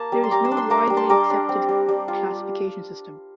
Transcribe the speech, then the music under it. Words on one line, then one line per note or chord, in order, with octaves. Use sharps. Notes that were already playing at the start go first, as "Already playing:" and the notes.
There is no widely accepted classification system.
Already playing: A#3 A5
G3
C6
G3 A#5 D6
C6 E6
D4
C6 E6
A#3 A#5 D6
G3
A5 C6
G3 A#5 D6
D4
C4
G3
G3
F4